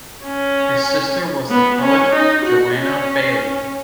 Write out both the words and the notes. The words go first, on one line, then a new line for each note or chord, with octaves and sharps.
His sister was the poet Joanna Baillie.
C#4
B3
C#4
D#4
F#4
C#4